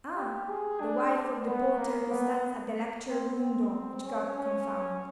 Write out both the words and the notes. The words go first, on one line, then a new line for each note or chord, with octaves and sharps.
'Ah! the wife of the porter who stands at the lecture-room door, which God confound!
G4
G#4
D4
B3
A#3
B3
C4
C4
C#4
C#4